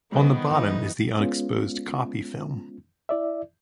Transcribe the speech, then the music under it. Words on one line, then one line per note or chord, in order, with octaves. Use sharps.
On the bottom is the unexposed copy film.
D#3 G3 B3 A4 C5
E3 D#4
G#3 B3 C#4 F4
E4 D5 E5